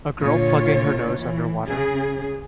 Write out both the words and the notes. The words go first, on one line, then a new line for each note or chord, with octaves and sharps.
A girl plugging her nose underwater.
A#2 D3 F4 C#5
E3
C#3 G#4